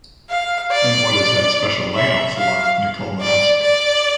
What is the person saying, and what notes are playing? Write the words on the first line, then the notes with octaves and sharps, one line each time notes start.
And what is that special layout for ? Nicholl asked.
F5
D5
E5
F5
D5
D5